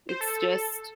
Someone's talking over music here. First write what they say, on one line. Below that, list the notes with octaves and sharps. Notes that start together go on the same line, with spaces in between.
it's just,
C5
A4